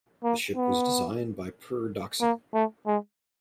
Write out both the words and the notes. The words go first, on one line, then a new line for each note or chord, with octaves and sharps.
The ship was designed by Per Dockson.
A#3
B3
A#3
A3
G#3